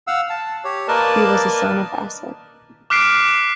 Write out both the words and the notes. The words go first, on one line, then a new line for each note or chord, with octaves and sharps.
He was a son of Asad.
F5 F#5 E6
A5
G4 C#5
A#3 A#4 B4 D5 D#5 A5
D6 F6 F#6 B6 C7 D7